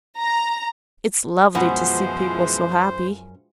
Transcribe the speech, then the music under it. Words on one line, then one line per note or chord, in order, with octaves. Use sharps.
It's lovely to see people so happy.
A#5
F#2 B2 E3 F3 G#3 C#4 C5 F#5